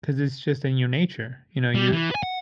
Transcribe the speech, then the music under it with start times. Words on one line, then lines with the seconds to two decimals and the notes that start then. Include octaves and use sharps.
'Cause it's just in your nature, you know, you're
1.75 G3
1.92 E3
2.11 B4 G#5
2.23 F#5